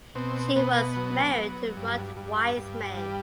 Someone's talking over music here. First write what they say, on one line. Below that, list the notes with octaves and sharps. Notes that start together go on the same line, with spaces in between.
She was married to Rod Wiseman.
B2 C4
B2 B3
F#3
F#3
G2
G2
G2
G3